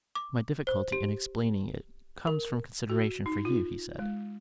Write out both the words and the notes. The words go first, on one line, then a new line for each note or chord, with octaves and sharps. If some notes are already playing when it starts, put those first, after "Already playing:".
"My difficulty in explaining it comes from consideration for you," he said.
D6
C5
G4
A#4
F#4
D#4
F4
G#3